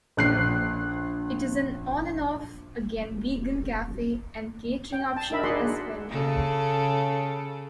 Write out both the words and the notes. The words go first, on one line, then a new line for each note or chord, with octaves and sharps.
It is an on-and-off again vegan cafe and catering operation as well.
A#1 F#6 C7
D#1
G5
A5
D4 D#4 A#4 E5 B5
F#4 G#4 D5 F#5 C6
C#3 A4